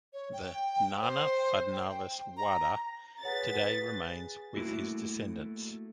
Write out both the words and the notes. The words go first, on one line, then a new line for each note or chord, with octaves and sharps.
The Nana Phadnavis Wada today remains with his descendants.
C#5
G5
C5
G5
A#5
G#4 B4 C#5 F#5 G#5 A6
A3 A#3 E4 F#4